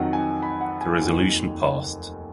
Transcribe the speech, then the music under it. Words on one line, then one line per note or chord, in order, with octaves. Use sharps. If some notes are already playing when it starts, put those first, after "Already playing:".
The resolution passed.
Already playing: F2 D#3 F#3 F#5
G#5
B5
F#5
G#5
F1 D#2 D#3 F#3